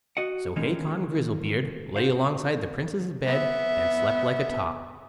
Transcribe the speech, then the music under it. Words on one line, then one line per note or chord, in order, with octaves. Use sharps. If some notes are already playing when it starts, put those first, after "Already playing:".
So Hacon Grizzlebeard lay alongside the Princess' bed, and slept like a top.
F#4 D#5 F#5
D#3 E3 G#3 A#3 C#4 D#4
D#4 F#4 C5 F5
B3 E5